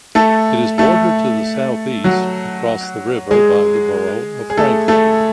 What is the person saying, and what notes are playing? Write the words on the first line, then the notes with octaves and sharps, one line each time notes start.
It is bordered to the southeast, across the river, by the borough of Franklin.
A3 A4
A3 A4
F#3 F#4
G#3 G#4
G#4
A3 A4
A3 A4